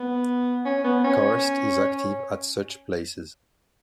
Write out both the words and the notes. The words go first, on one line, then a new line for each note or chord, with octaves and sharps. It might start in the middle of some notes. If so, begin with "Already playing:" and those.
Karst is active at such places.
Already playing: B3
C#4
B3
C#4